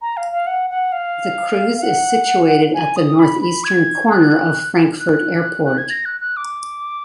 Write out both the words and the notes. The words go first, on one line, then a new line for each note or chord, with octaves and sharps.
The Kreuz is situated at the northeastern corner of Frankfurt Airport.
A#5
F5
F5
F#5
F#5
F5
F5
F#5
G#5
D#6
B5
B5
G#6
F#6
F#6
F#6
G#6
A#6
F#6
F#6
D6